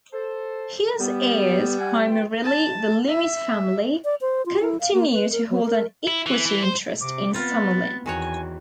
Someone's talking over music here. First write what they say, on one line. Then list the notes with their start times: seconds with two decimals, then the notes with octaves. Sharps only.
Hughes' heirs, primarily the Lummis family, continue to hold an equity interest in Summerlin.
0.13 A4 C5
1.00 G3 B3
1.78 F#5 G#5
2.06 C#2 F4 G5
2.44 A5
3.08 E5
4.05 D5
4.21 C5
4.46 F4
4.61 E4
4.81 F5
4.94 A#3
5.13 B4
5.32 A#4
5.50 F#3
5.65 A#4
6.07 E4
6.26 E3
6.46 E3
6.63 C5
7.01 C3 D6
7.34 B3 C4 F4 A6
8.06 E2 D#3 F#4 C#5 G#5